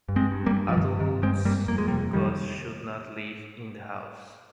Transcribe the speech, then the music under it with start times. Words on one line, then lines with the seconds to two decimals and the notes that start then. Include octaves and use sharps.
Adult goats should not live in the house.
0.09 G2
0.16 G#3 C4
0.31 G2
0.46 G3 A#3
0.54 G2
0.69 F3
0.77 G2 D#3
1.00 G2 D#3
1.22 G2 G#3 C4
1.45 G2 G3 A#3
1.68 F2 A#3
1.78 G#3
1.88 C3 G3 A#3
2.13 F2 D#3 G3